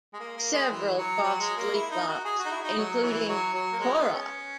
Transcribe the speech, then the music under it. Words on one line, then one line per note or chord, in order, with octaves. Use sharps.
Several costly flops, including Tora!
G#3
A#3
A#3
G#3
E3
F#3
F#3
G#3
A#3
E4
D#4
F#4
G#4
F#4
D#4
E4
D#4
F#3
E3
F#3
F#3
A#3
G#3
B3
C#4